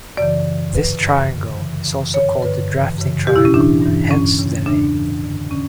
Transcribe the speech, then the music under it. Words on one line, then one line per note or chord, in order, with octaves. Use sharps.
This triangle is also called a drafting triangle, hence the name.
F#2 C#3 E3 D5
A2 E3
G2 D3 B4
F#2 E3
G2 D3
F#2 C#3 E3
F#2 E3
G2 D3 C#5
G2 D3 B4
F#2 C#3 E3
F#2 C#3 E3
E2 B2 G4
E4
C#4
A2 E3 D4
G2 E3
G2 D3 C#4
E2 C#3 E3
E2 C#3 E3 D4
A2 E3
F#2 D3
D3 C#4